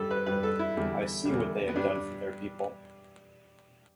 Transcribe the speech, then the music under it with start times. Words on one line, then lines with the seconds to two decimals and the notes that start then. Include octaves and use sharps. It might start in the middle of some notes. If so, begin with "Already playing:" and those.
I see what they have done for their people.
Already playing: G2 G3 G4 A4
0.11 B4
0.26 G2 G3 B4
0.43 A4
0.59 E4
0.77 E2 D3 G3
1.25 E2 D3 G3
1.69 B3
1.75 G2 G3 D4